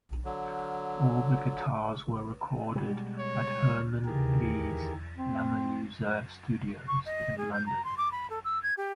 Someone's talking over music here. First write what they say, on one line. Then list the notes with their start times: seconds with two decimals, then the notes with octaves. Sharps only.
All the guitars were recorded at Herman Li's LamerLuser Studios in London.
0.25 D3 F#3
2.75 B2 G3 G#3
3.19 C#5
4.05 D2 D#3 E3 G4 G#4 A#4
5.17 C4
6.87 C#6
7.05 D#5
7.37 G#4
7.53 G6
7.66 A#5
7.84 C6
7.97 D6
8.11 B5
8.29 A4
8.44 E6
8.62 G#6
8.77 G4